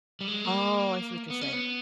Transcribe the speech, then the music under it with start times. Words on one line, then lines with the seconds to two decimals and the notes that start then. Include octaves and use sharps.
Oh, I see what you're saying.
0.21 G3
0.28 G#3
0.45 A#3
1.30 B3
1.41 C#4
1.53 B3